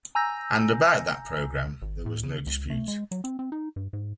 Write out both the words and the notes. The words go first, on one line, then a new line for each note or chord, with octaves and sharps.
And about that program, there was no dispute.
G#5 A#5 E6 G6 A#6
G#1
A2
C#3
C#2
A3
G#3
F#3
C4
C4
D#4
G2
G#2